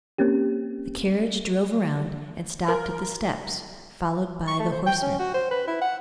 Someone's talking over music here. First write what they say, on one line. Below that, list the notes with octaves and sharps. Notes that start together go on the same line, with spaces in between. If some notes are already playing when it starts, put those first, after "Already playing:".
The carriage drove round, and stopped at the steps, followed by the horsemen.
A#3 C4 C#4 G4
A#4
C#6
A3
C5
G5
C#4
F#4
C5
B4
E4
F#5